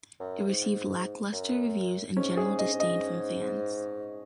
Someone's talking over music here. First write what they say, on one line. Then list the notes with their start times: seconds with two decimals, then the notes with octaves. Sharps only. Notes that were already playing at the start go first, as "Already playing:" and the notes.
It received lackluster reviews and general disdain from fans.
0.20 F#2
0.48 G#2
1.32 F#2
2.17 G#2 C#4
2.37 G#4
2.45 G#2
2.59 D#5
2.73 G#2
2.80 D#5